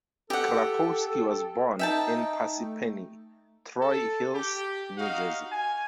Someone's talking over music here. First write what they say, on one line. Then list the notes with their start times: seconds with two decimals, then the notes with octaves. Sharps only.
Krakowski was born in Parsippany-Troy Hills, New Jersey.
0.30 G4 A4 F#5
1.79 D#4 E5 G5 A5
2.58 A3
3.80 A4
4.33 G4
4.98 D#4 F#4 F5
5.51 G#5